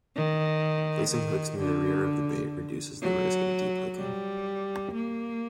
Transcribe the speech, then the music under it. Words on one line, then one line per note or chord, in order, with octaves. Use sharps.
Placing hooks near the rear of the bait reduces the risk of deep hooking.
D#3
D#3
D3
F#3
G3
A#3